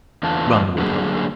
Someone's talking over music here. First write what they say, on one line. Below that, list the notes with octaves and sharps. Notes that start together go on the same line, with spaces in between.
Run with her.
E2 D3 F4 A5
D3 F#3 G3 A#3 G#4